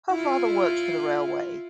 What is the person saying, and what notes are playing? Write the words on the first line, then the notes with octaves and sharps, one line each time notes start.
Her father worked for the railway.
E4 F4